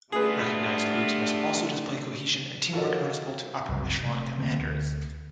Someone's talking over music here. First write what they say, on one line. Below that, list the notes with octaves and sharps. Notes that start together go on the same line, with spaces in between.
Recognized groups must also display cohesion and teamwork noticeable to upper echelon commanders.
E3 G3 A3 B3 D4 F4 G#4 B4
F4 F#4 A4 A#4 C#5 D#5
F#1 C2
C3 A3
D3 A3 A#3 C4
D2